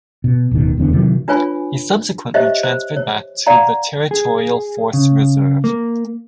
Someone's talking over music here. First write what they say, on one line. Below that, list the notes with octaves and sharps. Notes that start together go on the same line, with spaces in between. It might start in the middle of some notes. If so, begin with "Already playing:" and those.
He subsequently transferred back to the Territorial Force Reserve.
B2
D1 B2 D#3
D#1 E2 D3 B3
C3 D#3 E3 F#3
D4 F4 B4 C#5 G#5 B5
G4 C5 C#5 D#5 E5
C5
C#5
D5 F5 F#5 A#5
G#4
C#3
A#3